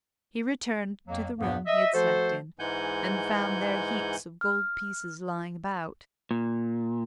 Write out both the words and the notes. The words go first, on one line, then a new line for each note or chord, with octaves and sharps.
He returned to the room he had slept in, and found there heaps of gold pieces lying about.
F2 F#3 A#3
E2 G2 A#2 F3 A#3 B3
D#5 E5
F3 A3 F#4 A4 C5
G#2 E3 G#3 F#5 G#5 G6
F6
A#2